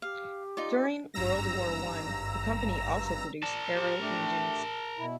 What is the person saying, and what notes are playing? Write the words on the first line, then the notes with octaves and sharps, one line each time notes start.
During World War One the company also produced aero engines.
G4 F5
D#4 F4 D5
G#1 G2 A#5 E6 A#6
A#4 D5 A5
F4 G4
A3 D4 G4
B2 E4